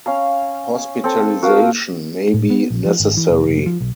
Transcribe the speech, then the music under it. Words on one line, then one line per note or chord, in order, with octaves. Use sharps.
Hospitalisation may be necessary.
C#4 F5 A#5
C4 A4
F#4 A#4 F5
A2
B3
A#1
F3
G#1
E3
F1
F1
F3
B1